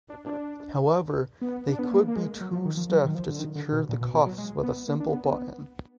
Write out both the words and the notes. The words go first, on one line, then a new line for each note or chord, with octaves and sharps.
However, they could be too stiff to secure the cuffs with a simple button.
D4
D4
B3
D4
B3
A#3
A#3
G#3
F#3
F3
D#3
F3
F#3
D#3
F3
D3
D#3
D3
B2
A#2
B2
B2
F#3
G#3
B3
A#3
D4
B3
B3